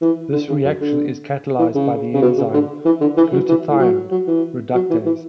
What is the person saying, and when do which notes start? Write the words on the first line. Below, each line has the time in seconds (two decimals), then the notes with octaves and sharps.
This reaction is catalyzed by the enzyme glutathione reductase.
0.01 E3
0.33 D3
0.49 C#3
0.64 F#2
0.81 D3
1.59 E3
1.75 C#3
2.14 C#3
2.22 B2
2.38 C#3
2.54 D3
2.85 E3
3.01 D3
3.17 E3
3.32 F#3
3.49 E3
3.70 A2
3.79 F#3
4.11 F#3
4.27 E3
4.74 F#3
4.90 E3
5.05 E3